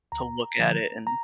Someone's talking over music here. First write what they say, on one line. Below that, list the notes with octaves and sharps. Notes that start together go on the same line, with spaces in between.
to look at it and,
D2 A#5
D3 F3
A#5